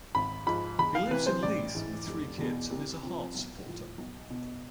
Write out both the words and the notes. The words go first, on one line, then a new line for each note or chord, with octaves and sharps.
He lives in Leith, with three kids, and is a Hearts supporter.
G#1 B5
G#2 F3 B5
E2 B5
F5
C3 E3 B4
C5
A1 D5
G#2 E3
F1
E2 B2
C2
C3 F3
B1
A2 F3
B1
B2